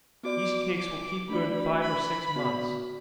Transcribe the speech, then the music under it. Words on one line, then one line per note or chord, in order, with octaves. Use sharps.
Yeast cakes will keep good five or six months.
B3 F#4 D5 D6
D6
A3 D4 F#4 D5 B5
B5
B3 F#4 D5